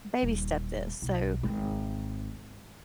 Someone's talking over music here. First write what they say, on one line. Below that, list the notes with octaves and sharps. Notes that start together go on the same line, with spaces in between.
baby-step this." So,
D#1
B1
G#1